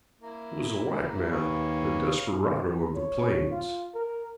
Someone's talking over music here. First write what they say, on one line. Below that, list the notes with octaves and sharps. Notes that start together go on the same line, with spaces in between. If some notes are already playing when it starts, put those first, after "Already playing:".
It was a white man--a desperado of the plains.
A#3 E4
D#2 B4 C#5 F5
C#5
F4
A#4